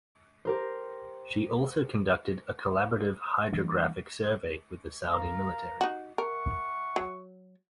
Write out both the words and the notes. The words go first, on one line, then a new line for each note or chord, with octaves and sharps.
She also conducted a collaborative hydrographic survey with the Saudi military.
G4 A#4 C5
E3 G3 A#3 D4
A#4 F5 A#5
D#4 F#4
A#4 E5 F#5 C#6
F#3